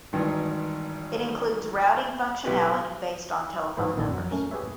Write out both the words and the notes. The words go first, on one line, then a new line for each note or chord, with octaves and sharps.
It includes routing functionality based on telephone numbers.
G#1 G2 D#3 E3
B1 G4 B4
G#2 E3 B4 C5
A#1 D#3 A4 D5
F2 F#3
A3 C#4 A#4
G4 G#4 B4 C#5 E5